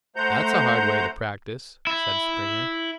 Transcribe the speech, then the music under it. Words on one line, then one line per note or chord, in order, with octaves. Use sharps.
"That's a hard way to practice," said Springer.
A3 C5 F#5 A#5 G6
E4